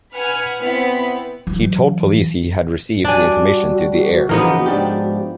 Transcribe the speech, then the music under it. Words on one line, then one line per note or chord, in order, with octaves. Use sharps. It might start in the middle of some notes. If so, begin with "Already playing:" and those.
He told police he had received the information through the air.
B4 F#5 G#5 F6
B3 C4 E4 B5
E3 F#3
G3 D4 F#4 D5 G#5
C#3 E3 F3 A#3 B3 D#4 A#4
G#2 F3 D4 G4